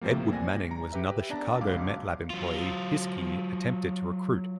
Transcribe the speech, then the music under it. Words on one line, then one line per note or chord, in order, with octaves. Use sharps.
Edward Manning was another Chicago Met Lab employee Hiskey attempted to recruit.
A2 C3 F3 G3 A#3
D5 G#5 A#6
A#5
G4 B4 E5
B3 D4 D5 A5 A#5
G1 C#2 F#3 F5 D6
F#3 F4